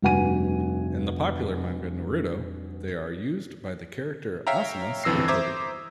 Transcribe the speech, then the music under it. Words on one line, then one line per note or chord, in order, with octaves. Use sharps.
In the popular manga Naruto, they are used by the character Asuma Sarutobi.
F1 G2 F#4 F#5 G#5 D#7
C#5 E5 F5 G5 A#5
G1 F2 E3 E6 A#6 C7
C5 E5 A#5 D6 D#6 G#6